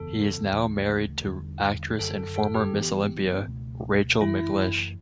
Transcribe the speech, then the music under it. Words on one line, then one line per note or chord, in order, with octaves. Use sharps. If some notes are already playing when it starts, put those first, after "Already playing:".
He is now married to actress and former Ms. Olympia, Rachel McLish.
Already playing: F#1 E2 C#3 A4
D2 C#3 E3 A3
E2 D3 G3
F#1 F#2 D3 A4
A4
G4
G1 G2 E3 B3
C#2 B2 A3
F#1 F#2 E3 A3 E4